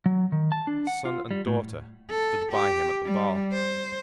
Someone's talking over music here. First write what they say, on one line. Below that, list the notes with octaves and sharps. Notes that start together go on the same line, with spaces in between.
His son and daughter stood by him at the bar.
F#3
D#3
A5
D4
F#5
F4
G3
A2
A4
G4
G3
C5